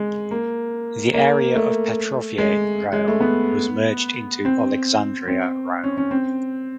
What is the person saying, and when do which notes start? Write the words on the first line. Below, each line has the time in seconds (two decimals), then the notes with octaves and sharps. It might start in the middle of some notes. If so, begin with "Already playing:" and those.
The area of Petrove Raion was merged into Oleksandriia Raion.
Already playing: G#3
0.31 A#3
1.13 A#3
1.55 A3
2.38 G#3
2.93 G#3
3.08 A3
3.20 B3
4.45 C4
5.28 C4
5.84 C#4
5.97 C#4
6.11 C4